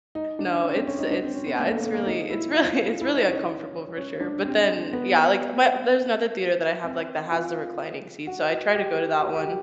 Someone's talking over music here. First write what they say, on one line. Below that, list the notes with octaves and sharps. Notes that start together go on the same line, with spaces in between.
No, it's it's yeah, it's really it's really it's really uncomfortable for sure, but then Yeah, like, my there's another theater that I have, like that has the reclining seats, so I try to go to that one,
D#4
D4
C#4
C4
C#4
D#4
D4
C4
C#4
B3
A#3
A3
A#3
A#3
D#4
E4
F4
E4
D#4
C#4
C#4
D4
C4
B3
C4
F4
F#4
G4
F#4
G4